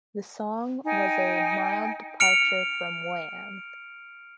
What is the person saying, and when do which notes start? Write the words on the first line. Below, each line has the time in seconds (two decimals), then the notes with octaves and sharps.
The song was a mild departure from Wham!
0.85 D#4 G5 G#5
2.20 F6 C#7 D7 F7